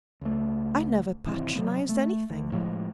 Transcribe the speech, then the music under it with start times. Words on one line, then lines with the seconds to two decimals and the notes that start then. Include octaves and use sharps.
I never patronised anything.
0.21 C#2 A3
1.26 G#1 C3 E3
1.55 C3 F#3 B3
1.89 A3
2.30 D2
2.52 A2 F3 G3 G#3